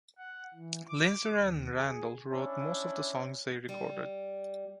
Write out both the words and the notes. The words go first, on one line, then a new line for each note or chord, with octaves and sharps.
Linzer and Randell wrote most of the songs they recorded.
F#5
E3
D6
D#2
G#4
C#4 D4 E4
G3